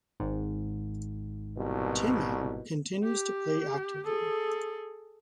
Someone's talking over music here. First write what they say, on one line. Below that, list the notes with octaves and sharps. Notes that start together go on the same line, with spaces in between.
Timman continues to play actively.
G#1 G#2
C2 B2
G4
G#4 A4